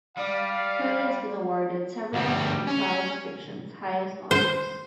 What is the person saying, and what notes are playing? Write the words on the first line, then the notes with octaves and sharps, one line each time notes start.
Kelly has been awarded several of science fiction's highest honors.
G3 D5 F5
D2 G3
C#4
C5